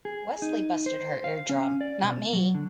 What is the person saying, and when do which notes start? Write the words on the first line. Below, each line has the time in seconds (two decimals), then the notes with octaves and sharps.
Wesley busted her eardrum, not me.
0.05 G#4
0.42 D#4
0.86 C5
1.24 F5
1.49 C#4
1.81 D5
2.03 B2
2.33 F#3
2.55 D3